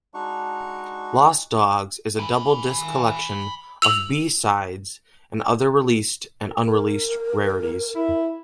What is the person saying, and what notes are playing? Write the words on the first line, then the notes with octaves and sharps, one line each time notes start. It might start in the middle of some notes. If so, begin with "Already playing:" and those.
"Lost Dogs" is a double-disc collection of B-sides and other released and unreleased rarities.
G#3 D4 D#4 F#4 C#6
G#5 B5
E6 F7 F#7
A#4
E4